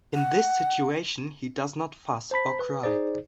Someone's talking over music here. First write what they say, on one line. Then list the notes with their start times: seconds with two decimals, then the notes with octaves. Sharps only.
In this situation he does not "fuss" or cry.
0.14 F#5
2.31 C5 A5 B5 B6
2.59 B4
2.83 D#4 G#4 C5 D5